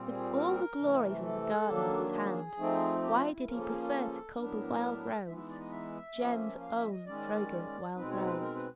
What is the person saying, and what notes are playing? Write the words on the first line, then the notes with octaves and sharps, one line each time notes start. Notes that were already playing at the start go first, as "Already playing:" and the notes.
With all the glories of the garden at his hand, why did he prefer to cull the wild-rose,--Jem's own fragrant wild-rose?
Already playing: A#2 G3 C4
G#4
A#4
C3 E3 A3
A4
D#3 F#3 A#3 D4
G#4
F3 A3 C4 D#4
G4
F4
E4
C#3 F3 A#3 C#4 A#4
A4
G#4
A4
A2 F#3 B3 D4 A#4
E3 G#3 B3 D#4 E5
E5
D5
D#5
E5
F3 A#3 C#4
F5
E5
D#5
D#3 G#3 C#4 D5
B2 G#3 C4 D#4 B4
C#5
B4
A#4
B4